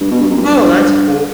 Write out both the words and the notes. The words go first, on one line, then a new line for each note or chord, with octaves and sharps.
Oh, that's cool.
G2
B2
G2
F#2
A#2
G2